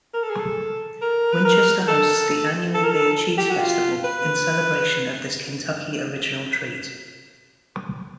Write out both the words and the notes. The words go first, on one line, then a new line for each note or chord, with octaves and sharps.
Winchester hosts the annual Beer Cheese Festival in celebration of this Kentucky original treat.
A#4
A4
G#4
A4
A#4
B4
A#4
A4
A4
A#4
A4
G4
F#4
F4
B4